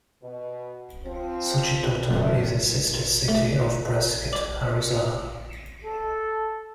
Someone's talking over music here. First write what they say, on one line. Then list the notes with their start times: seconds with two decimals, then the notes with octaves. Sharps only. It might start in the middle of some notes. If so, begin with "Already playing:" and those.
Suchitoto is a Sister City of Prescott, Arizona.
0.23 B2
1.05 F3 C4
2.11 F#2 C3 A3
3.28 A3
4.33 D5
5.84 A4